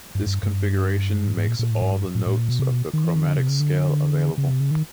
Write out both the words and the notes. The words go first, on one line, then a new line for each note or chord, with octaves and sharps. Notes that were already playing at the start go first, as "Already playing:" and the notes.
This configuration makes all the notes of the chromatic scale available.
G2
G2
G2
G#2
G#2
A#2
A#2
A2
G#2
G2
A2
A2
A#2
B2
C3
B2
D#3
E3
D#3
D3
C3
C#3
D3
C#3
C3
C#3
D#3